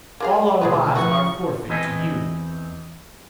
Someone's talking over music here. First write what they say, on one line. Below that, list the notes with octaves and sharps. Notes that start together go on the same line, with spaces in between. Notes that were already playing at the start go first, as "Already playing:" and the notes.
All our lives are forfeit to you.
A#3 G#4 F5
D2 B2 G#3 G#4 B4
E3 F3 F#4 F#5 C#6
E2 E3 C4 D#5 G#5